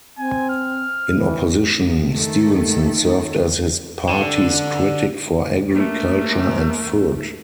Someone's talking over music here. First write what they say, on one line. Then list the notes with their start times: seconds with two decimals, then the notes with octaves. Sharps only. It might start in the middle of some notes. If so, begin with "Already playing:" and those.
In opposition, Stevenson served as his party's critic for Agriculture and Food.
0.18 C4 G#5
0.50 F6
1.13 E3
2.12 D#3 A3 A4
4.09 D3
5.72 A3 A#3